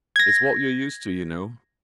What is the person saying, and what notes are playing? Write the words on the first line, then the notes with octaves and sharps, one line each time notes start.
It's what you're used to, you know.
G#6 A#6